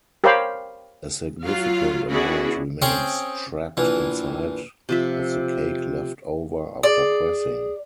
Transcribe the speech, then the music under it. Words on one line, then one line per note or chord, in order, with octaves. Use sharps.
A significant amount remains trapped inside of the cake left over after pressing.
G4 A#4 C5 C#5 F5 B5
F#3 F4 F5
B3 C#4 D4 E4 F#4 G#4
C4 C#4 G#4 G5
A#1 E3
C3 F3 E5
G#4 D5